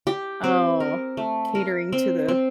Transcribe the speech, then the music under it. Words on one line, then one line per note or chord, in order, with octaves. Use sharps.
Oh, catering to the
G4
C4
A#4
A3
A#4
C4
C4